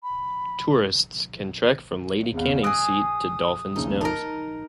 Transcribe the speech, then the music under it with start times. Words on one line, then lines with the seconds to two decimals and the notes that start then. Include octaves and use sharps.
Tourists can trek from Lady Canning's Seat to Dolphin's Nose.
0.03 B5
2.34 G#1 E2 F5
2.64 G#4 D#5 D#6 E6 F#6 D7
3.76 D#1 A#1 C#3 D#4
4.01 D#4 A#4 A5 A#5